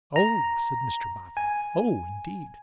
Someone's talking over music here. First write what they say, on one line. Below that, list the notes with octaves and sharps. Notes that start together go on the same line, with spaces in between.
'Oh!' said Mr Boffin. 'Oh indeed!
A#5
G#5